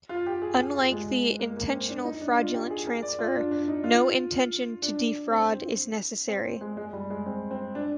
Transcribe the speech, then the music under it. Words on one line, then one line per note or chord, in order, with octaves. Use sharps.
Unlike the intentional fraudulent transfer, no intention to defraud is necessary.
F4
G4
G#4
G4
F4
G#3
A#3
A#3
C4
D4
D#4
D4
F4
G4
G#4
A#4
D5
F4
D4
D4
D#4
F4
D4
C4
C4
G#3
G#3
G3
G#3
C4
C4
D4